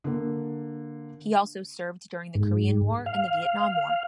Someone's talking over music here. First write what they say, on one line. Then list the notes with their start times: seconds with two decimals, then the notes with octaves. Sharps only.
He also served during the Korean War and the Vietnam War.
0.04 D3 A#3
2.35 G#2
3.06 F5